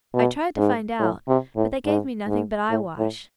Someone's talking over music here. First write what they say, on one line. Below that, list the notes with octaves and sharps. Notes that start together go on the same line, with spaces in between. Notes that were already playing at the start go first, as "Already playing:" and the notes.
I tried to find out, but they gave me nothing but eyewash.
B2
G#2
A2
C3
A2
G#2
G#2
A2
A2